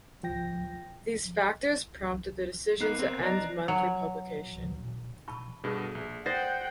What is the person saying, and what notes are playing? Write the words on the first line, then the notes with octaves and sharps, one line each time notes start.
These factors prompted the decision to end monthly publication.
F3 G5 A#6
B3 D#4 A#4 F#6 C7
C4
D#4 D5 A5 A#5
F#3
A5 B5 C#6
G2 B2 G#4 A4
A#1
C5 D5 F#5 G5 D#6 A6 A#6 C7